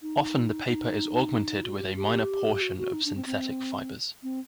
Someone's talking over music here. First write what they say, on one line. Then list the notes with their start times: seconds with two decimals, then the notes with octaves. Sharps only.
Often the paper is augmented with a minor portion of synthetic fibers.
0.02 D#4
0.67 D#4
1.64 F#4
1.76 G4
1.86 F#4
1.96 G4
2.61 F#4
2.78 F#4
2.93 D#4
3.05 D4
3.16 C4
3.26 C4
4.23 C4